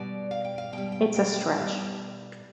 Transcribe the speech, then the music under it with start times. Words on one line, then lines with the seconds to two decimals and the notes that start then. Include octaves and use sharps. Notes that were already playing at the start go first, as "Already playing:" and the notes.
It's a stretch.
Already playing: B2 G3 D5
0.31 F5
0.45 G5
0.58 F5
0.73 B2 G5
0.78 G3
0.92 G5
1.16 G5
1.57 B2 G3 F5